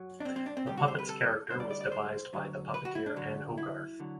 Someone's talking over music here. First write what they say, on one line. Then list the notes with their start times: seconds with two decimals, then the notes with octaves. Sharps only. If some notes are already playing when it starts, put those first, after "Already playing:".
The puppet's character was devised by the puppeteer Ann Hogarth.
Already playing: F#2 F#3
0.20 D4
0.25 C4
0.36 C4
0.46 D4
0.57 C4
0.66 D2 C3 G3 G4
0.77 F#4
0.88 C5
0.99 B4
1.09 A4
1.50 D2 D3 G3 C5
1.60 D5
1.71 D5
1.81 D5
1.92 C5
2.33 D2 D3 F#3
2.74 B4
2.85 F#4
2.95 E4
3.06 D4
3.16 F#2 D3 F#3
3.58 E4
4.00 D3 F#3